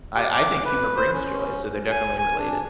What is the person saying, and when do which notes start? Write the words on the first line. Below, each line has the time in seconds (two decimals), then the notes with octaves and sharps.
I I think humor brings joy, so they're definitely related.
0.16 G4
0.32 D6
0.65 B4
0.97 C5
1.14 C#4
1.91 G#5
2.18 G#5
2.38 D4